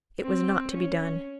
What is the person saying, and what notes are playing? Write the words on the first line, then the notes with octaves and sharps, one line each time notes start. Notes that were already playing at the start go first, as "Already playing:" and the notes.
It was not to be done.
C4
C#4